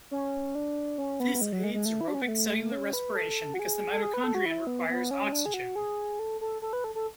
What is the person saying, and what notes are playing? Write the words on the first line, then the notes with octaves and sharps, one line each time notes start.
This aids aerobic cellular respiration, because the mitochondrion requires oxygen.
C#4
D4
C#4
B3
G#3
F#3
G#3
G#3
A3
E4
D4
C#4
B3
A3
C#4
B4
A4
F#4
G#4
A4
G#4
B4
A4
F#4
E4
B3
B3
C#4
D4
G#4
F#4
G#4
A4
A4
A4
B4
A4
A4